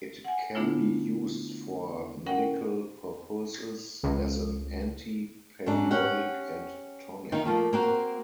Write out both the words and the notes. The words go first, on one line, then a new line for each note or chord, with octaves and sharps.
It can be used for medical purposes as an anti-periodic and tonic.
F#5 G#5
D3 A3 B3 D4 E4 F4
C#4 A#4 F#5 G5
C#2
G#2 F#3 D4
C#4 G4 F#5
D#3 A#3 D#4
F3 A3 A#3
A#3 C4 F#4